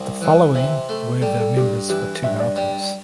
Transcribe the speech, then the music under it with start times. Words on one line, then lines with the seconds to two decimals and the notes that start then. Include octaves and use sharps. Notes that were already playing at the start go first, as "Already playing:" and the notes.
The following were the members for Two Mountains.
Already playing: C2
0.21 E3
0.55 C3 E5
0.89 A3
1.22 G3 A4
1.40 A4
1.57 G2 G4
1.89 E3 G4
2.23 G2 E5
2.40 D5
2.57 G3 D5